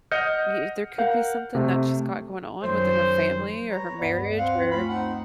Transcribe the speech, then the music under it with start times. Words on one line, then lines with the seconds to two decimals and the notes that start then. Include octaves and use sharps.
Y there could be something that she's got going on within her family, or her marriage, or
0.11 D#5 F#5 F6 G6 C#7
0.98 A#4 F5 F#5 G6
1.55 C3 A3
2.64 F#2 D#3 F#3 C5
3.71 B4 C#5 A#5
3.98 D2 G2 B3 D5
4.38 C4 F5 F#5
4.71 A3 C#4 F4 C5 F5 B5
4.90 C4 D#4 F#5